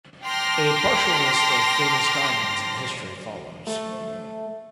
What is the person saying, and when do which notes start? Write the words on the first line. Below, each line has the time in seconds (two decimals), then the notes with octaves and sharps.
A partial list of famous diamonds in history follows.
0.24 G5 A5 C6 D6 F6 A#6
3.67 A3